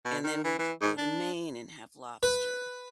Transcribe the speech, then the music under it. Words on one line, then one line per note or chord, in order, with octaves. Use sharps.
and then we'd dr go to Maine and have lobster.
B2
D#3
E3
E3
G#2
D4
B4